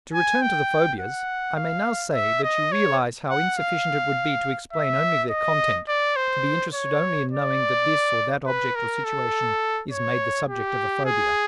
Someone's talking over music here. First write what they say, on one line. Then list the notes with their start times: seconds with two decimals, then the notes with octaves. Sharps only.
To return to the phobias, I may now say that you realize how insufficient it would be to explain only their content, to be interested only in knowing that this or that object or situation is made the subject of a phobia.
0.14 G#5
0.42 G5
1.00 F#5
1.56 F5
2.14 E5
2.44 D#5
2.72 C#5
3.30 F#5
3.58 F5
4.73 E5
5.31 D#5
5.88 D5
6.16 C5
6.74 C#5
7.32 D5
8.47 B4
8.76 A#4
9.05 A4
9.91 C#5
10.49 G4
11.05 G#4